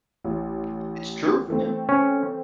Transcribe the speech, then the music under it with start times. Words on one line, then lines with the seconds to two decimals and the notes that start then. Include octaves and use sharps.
I It's true, yeah.
0.24 A1
1.48 E3 A3 C4
1.89 C#4